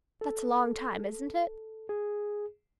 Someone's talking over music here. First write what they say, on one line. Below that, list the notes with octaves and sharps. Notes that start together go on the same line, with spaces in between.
That's a long time, isn't it?
A4
G#4